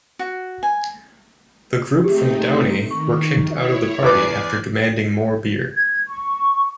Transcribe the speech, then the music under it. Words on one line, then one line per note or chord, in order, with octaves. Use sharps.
The group from Downey were kicked out of the party after demanding more beer.
F#4
G#5
A3 C4 D#4 G4 G#4
D#3 C#6
E4 C#5
E2 B4 D5 G#5 D6 C7
G#6
C#6